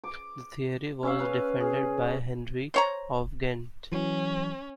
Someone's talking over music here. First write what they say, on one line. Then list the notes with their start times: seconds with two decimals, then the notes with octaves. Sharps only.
The theory was defended by Henry of Ghent.
0.04 D6
1.03 C#4 E5 F5
1.19 B4 F5
1.60 G#4
2.74 C5 C#5 A#5
3.92 E3 F#3 C#4